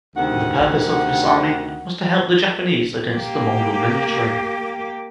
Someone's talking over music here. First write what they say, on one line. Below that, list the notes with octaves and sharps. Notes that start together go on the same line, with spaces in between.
The purpose of this army was to help the Japanese against the Mongol military.
D2 C3 D#3 F#5
A#3 G4